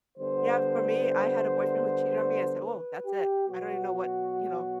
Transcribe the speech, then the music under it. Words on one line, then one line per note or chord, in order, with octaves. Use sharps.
Yeah, for me, I had a boyfriend who cheated on me. I said, "Oh, that's it. I don't even know what, you know,
D3 G3 B3 C5
B4
G4
B2 F#3 B3 F#4